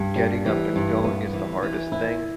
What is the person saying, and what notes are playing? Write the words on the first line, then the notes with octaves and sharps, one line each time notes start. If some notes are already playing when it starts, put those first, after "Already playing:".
getting up and going is the hardest thing,
Already playing: G2
G3
E3
G2
B3
E3
E3
E4